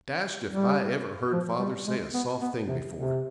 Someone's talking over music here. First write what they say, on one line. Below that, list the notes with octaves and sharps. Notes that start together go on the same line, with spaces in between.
Dashed if I ever heard father say a soft thing before.
G3
F3
G3
G#3
B3
B3
C3
C3